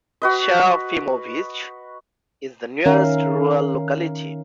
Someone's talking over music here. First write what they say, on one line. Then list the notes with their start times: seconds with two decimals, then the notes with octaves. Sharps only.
Serafimovich is the nearest rural locality.
0.22 F#4 B4 D#5
2.86 D#3 C#4 A#4 E5 F5